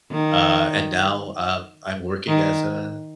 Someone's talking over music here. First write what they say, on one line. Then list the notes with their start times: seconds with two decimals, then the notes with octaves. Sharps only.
Uh, and now, um, I'm working as a
0.12 D#3
2.28 D#3